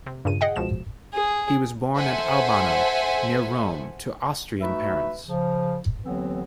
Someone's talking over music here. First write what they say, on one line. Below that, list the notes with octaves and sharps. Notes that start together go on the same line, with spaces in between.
He was born at Albano, near Rome, to Austrian parents.
C3
G2 A#2 C#3 D#7
G#4 D#5 F#5 G5
C#2 B2 F3 E7
G#4
A4 C5 E5 F#5 G#5
A3 D#4 F#4 B4 E5
C#3 F3
D#2 D3 E3 F#3 B3 C4